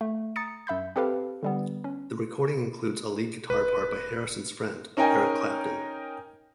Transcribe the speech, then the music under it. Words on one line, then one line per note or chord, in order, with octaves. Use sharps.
The recording includes a lead guitar part by Harrison's friend Eric Clapton.
A3
A#5 D#6 A6 C#7
F#2 E5 B5 G6
C4 G4 A4 B4 F5
D3 G3 B3
C#4
E1 B4
C#4 D#4 A#4 D#5 G5 G#5